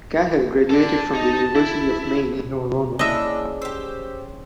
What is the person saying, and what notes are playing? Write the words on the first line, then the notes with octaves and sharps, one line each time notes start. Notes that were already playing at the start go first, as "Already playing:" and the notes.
Cahill graduated from the University of Maine in Orono.
A4 D5 A5
D#4
E4
A#3 C#4 D4 E4 G#4 D#5 E5 E6
G4 C5 E6